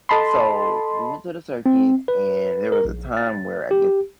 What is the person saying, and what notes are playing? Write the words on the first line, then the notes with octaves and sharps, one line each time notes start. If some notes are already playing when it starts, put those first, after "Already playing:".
So, we went to the circus, and there was a time where, I guess,
A4 D#5 A5 B5 C6
C4
B4
A#4
A#1
A6
G4